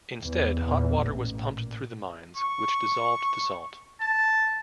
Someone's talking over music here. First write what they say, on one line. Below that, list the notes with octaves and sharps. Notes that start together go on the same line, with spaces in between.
Instead hot water was pumped through the mines, which dissolved the salt.
E2
E2 A#2
A1
A#2
C#6
A5